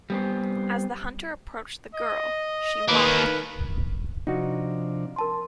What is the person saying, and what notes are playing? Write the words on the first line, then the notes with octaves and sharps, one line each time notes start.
As the hunter approached the girl, she mocked him.
G3 B3 C4
D#5
D#3 A#3 B4
C3 F3 D4 D#4 F#4
A#4 A5 C6